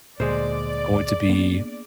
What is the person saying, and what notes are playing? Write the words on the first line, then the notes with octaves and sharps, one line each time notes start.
going to be
D2 A#2 G#3 C5 D5
A#3 B3 D4